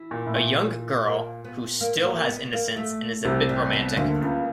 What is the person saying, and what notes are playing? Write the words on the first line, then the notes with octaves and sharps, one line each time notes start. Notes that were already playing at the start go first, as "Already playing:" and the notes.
A young girl who still has innocence and is a bit romantic.
Already playing: E3
A#2
A2
A#2
A#3
B3
A#3
A#3
B3
A#3
A3
C2 C3 G3
G3
B3
D2 D3 A#3
C#2 C#3